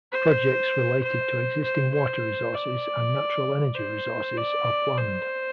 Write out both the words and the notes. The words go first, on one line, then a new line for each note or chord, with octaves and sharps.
Projects related to existing water resources and natural energy resources are planned.
C5
C5
C5
C5
D5
C5
D5
C5